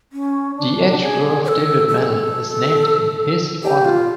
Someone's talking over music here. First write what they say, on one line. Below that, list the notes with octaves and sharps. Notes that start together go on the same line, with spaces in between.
The Edgeworth David Medal is named in his honour.
C#4
D4
G#4
C#5
A4
A4
G#4
A4
G4
F4